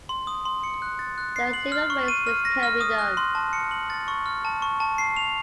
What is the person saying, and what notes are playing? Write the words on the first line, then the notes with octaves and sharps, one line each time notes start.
There are several ways this can be done.
C6
D#6
C6
C#7
F#6
A6
F#6
C7
F#7
F6
C#6
D#7
F6
A#6
F6
D#6
F#6
C6
A5
C#7
F#7
A6
C#6
F6
A5
C#6
A5
C7
F7